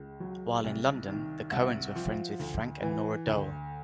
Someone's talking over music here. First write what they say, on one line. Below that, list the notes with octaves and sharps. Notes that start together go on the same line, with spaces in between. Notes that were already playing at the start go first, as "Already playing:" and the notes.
While in London, the Cohens were friends with Frank and Nora Doel.
Already playing: C#2
F#3
C2
D#3
C2 E5 F#5
F3
D2
E3
D2